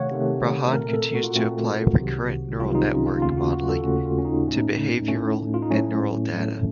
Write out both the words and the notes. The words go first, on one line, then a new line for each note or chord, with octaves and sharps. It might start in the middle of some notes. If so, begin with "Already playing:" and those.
Rajan continues to apply recurrent neural network modelling to behavioral and neural data.
Already playing: C3 D#3 A3 C#5 F5 F#5
C3 D#3 A3
A#2 A3 C4 A#4
A4
F#4
F4
F#4
A#2 A3 C4
C2 C3 D#3 F#3
C2 C3 D#3 F#3 F4
D#4
C#4
F4
D#2 C#3 A3 C#4 F4
F#4
F#4
A4
D#2 C#3 A3 C#4 F#4
F4
C#4
D#4
A2 A3 C#4
A2 A3 C#4
F4
D#4
A2 F#3 A3 C#4
A2 F#3 A3